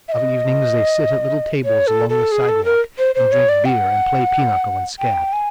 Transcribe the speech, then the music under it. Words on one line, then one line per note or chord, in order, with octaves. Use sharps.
Of evenings they sit at little tables along the sidewalk and drink beer and play pinochle and scat.
E5
D#5
C#5
A4
A4
G#4
A4
A#4
C5
C5
C#5
D5
G5
F#5
G5
G#5